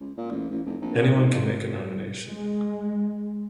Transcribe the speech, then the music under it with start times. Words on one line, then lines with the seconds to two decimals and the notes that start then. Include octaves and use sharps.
Anyone can make a nomination.
0.01 C#2
0.17 A#2
0.31 A1
0.50 A1
0.65 F1
0.81 A#1
1.00 C#3
1.15 G#2
1.33 F2
1.45 G#1
2.26 G#3